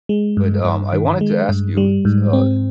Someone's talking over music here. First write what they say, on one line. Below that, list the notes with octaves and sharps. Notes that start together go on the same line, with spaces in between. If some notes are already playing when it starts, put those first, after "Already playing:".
But, um, I wanted to ask you, s uh,
G#3
G2
G2
D#3
G#3
G2
G3
G#2
C4